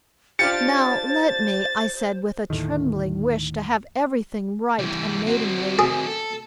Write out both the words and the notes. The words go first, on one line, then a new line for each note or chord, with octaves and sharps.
"Now let me," I said, with a trembling wish to have every thing right and maidenly.
D4 F4 G4 C5 A6 C#7
D#2 A2 D3 D#3
E3 G3
C4 F#4
G#4
A4